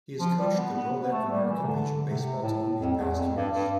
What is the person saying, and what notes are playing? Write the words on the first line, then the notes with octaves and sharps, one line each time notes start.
He has coached the Rolette American Legion baseball team in past years.
F3
G3
B3
B3
B3
A3
G3
E3
C3
D3
C3
A2
A2
F2
E2
F2
G2
G2